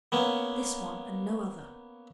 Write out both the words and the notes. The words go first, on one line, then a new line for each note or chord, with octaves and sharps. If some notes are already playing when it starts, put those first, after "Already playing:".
This one and no other.'
A#3 B3 C#4